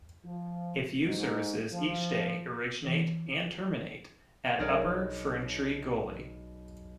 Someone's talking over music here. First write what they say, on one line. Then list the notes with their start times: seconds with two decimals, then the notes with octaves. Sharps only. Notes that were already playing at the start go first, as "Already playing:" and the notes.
A few services each day originate and terminate at Upper Ferntree Gully.
0.24 F3
1.05 G#2
1.72 F3
2.85 E3
4.59 B1 G#4 A#4 C#5 D5 G#6